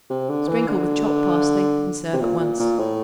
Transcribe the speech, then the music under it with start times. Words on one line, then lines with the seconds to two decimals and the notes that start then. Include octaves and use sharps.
Sprinkle with chopped parsley and serve at once.
0.10 C3
0.29 D3
0.49 E3
0.69 D3
2.14 C3
2.21 A#2
2.40 A#2
2.60 A#2
2.79 A2